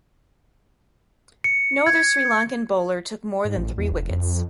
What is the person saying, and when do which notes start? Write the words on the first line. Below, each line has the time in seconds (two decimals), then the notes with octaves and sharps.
No other Sri Lankan bowler took more than three wickets.
1.44 C#7
1.86 G#6
3.45 G#2
3.57 A1
3.78 E2
3.92 F1
4.10 F2
4.31 F2